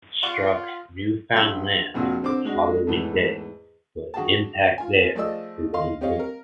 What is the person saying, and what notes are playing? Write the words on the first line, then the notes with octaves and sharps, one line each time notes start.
It struck Newfoundland the following day, but impact there is unknown.
F4 D5 F#5 C#6
A#1 G2 E6
A#1 F2 A#2 F#4
D3 C4 D6
G#3 D4 F#4
E2 G#2 E3 A3
D3 F#4 G#4 G5 A5
F4 G#5
F3 A3 G#4 D5 D#5 E6
D#5 F5 C6
C4 G4 C#5 D#5 F5
A#4